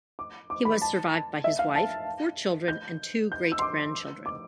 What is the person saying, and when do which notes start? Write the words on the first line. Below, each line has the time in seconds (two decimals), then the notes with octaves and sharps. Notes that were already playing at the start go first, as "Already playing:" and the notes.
He was survived by his wife, four children, and two great-grandchildren.
0.19 D6
0.50 D6
0.65 B5
0.82 A5
1.44 E5
1.59 F5
1.75 A5
2.68 G6
3.32 G6
3.52 E6
3.59 C6
3.62 D6
4.26 D6